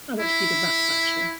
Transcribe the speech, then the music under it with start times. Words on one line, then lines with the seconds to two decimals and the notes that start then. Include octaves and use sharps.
I want to be the rat bachelor.
0.20 E4